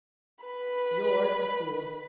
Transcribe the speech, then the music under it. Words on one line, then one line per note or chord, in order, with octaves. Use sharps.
You're a fool.'
B4 B5